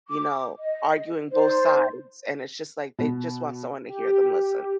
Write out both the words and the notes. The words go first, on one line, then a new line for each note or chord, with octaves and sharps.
you know, arguing both sides, and it's just, like, they just want someone to hear them listen,
D6
D#5
D#4 C5 D5
B2
G4